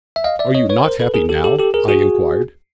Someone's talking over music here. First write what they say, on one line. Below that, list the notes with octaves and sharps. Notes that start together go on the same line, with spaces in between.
"Are you not happy now?" I inquired.
E5
D#5 F5
D5 E5
C#5 D#5
B4 C#5
A#4 C5
A4 B4
G#4 A#4
G4 A4
G4 A4
G4 A4
G#4 A#4
F#4 G#4